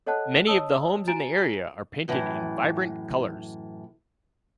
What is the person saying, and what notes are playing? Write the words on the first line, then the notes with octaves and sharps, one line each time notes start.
Many of the homes in the area are painted in vibrant colors.
A4 C#5 D#5 F#5 A5 F#6
C#5 D#5 A5 D#6 E6
F#4 G#5 A#5 A6 D7
F#2 A2 E3